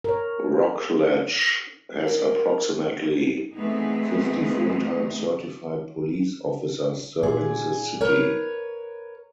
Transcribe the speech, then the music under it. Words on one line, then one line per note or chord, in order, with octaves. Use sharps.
Rockledge has approximately fifty full-time certified police officers serving the city.
A#4 C#5
A#4
E3 A3 B3 C4 D#4 G#4
A#2 G#4
A#4 B4 C#5